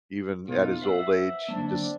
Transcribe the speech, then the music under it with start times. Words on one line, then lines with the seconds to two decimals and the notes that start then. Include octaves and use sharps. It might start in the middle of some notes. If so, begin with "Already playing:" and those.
even at his old age, he just
0.48 B2 D#4 F4
0.82 B4 C5 E5 F#5
1.48 D3 F#3 A#3 C4 D4 A5